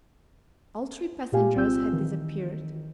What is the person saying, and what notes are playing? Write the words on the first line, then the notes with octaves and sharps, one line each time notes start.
All three passengers had disappeared.
A#2 F4 G4 F5 G#5
C2 C4 F4 E6 G6
D#3 E3